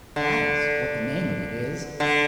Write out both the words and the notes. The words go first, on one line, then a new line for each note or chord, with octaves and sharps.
That is what the name of it is.
D3
D3